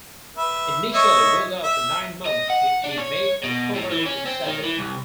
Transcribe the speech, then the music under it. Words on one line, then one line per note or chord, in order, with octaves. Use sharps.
Initially ruled out for nine months, he made a recovery in seven.
B4 E5
C#5 D#5 E5
E5
D#5
F#5
D4
C#5
B2
A2
E3
C#4
C4
D#3
E3
C2